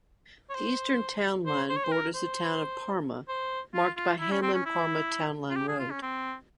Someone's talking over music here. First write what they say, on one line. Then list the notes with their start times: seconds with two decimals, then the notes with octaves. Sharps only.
The eastern town line borders the town of Parma, marked by Hamlin-Parma Townline Road.
0.50 C#5
0.55 C5
1.46 C5
1.70 C5
1.77 C#5
1.85 C5
1.92 A#4
2.15 C5
3.29 C5
3.74 F4
3.97 F4
4.20 E4
4.31 C#4
4.42 C4
4.54 C#4
4.66 E4
5.50 F4
5.56 G4
5.68 G#4
5.80 F4
5.91 C#4
6.02 C4